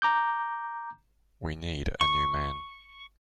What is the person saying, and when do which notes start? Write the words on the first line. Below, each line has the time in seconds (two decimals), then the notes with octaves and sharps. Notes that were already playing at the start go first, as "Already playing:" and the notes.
We need a new man.
0.02 A#5 D6 G6
2.01 C#6